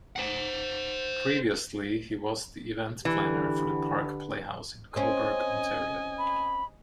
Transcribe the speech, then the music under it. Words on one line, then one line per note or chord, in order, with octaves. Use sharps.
Previously he was the event planner for the Park Playhouse in Cobourg, Ontario.
C5 F#5
D3 E3 G4
C4 C#4 D#5 G#5
B5